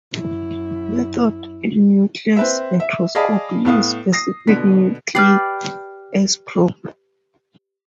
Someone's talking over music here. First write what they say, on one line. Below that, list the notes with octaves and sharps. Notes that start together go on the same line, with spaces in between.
Methods in nuclear spectroscopy use specific nuclei as probe.
F#2 E4
C4 B4 E5
E5
G#4 D5 D#5 F5 A5 B5
A2 B3 F5 D#6
D#6 A#6 C7
B2 D3 B3 B6
G4 B4 D5 F6 C7